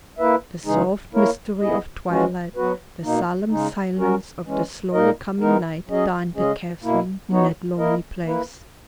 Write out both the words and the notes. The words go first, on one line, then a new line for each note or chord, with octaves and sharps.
The soft mystery of twilight, the solemn silence of the slowly-coming night, daunted Catherine in that lonely place.
A#3 E4 B4 E5
C#3 E3 G#3 D#4 G#4
A#3 E4 A#4 C#5
B3 E4 G#4 D#5
E3 G#3 C#4 F#4
F#3 B3 F#4 B4
B2 A#3 D#4
C#3 G#3 D#4
F#3 C#4 F#4 A#4
E3 G#3 C#4
A#2 A#3 D#4 A#4 D#5
E3 G#3 B3 D#4 A#4
F#3 C#4 G#4 D#5
C#3 G#3 C#4 G#4 D#5
B2 A#3 E4
B3 D#4 F#4 C#5
A#3 E4 A#4 D#5
A#3 E4 B4